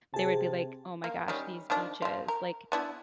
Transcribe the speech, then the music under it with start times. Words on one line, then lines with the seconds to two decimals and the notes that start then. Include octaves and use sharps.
they would be like, "Oh my gosh, these beaches, like,
0.14 C3 G#4 A5
1.04 A#3
1.28 D#3 G3 C#4
1.70 D#3 F3 D4
2.02 F3 F4
2.28 A#4
2.72 B3 D4 E4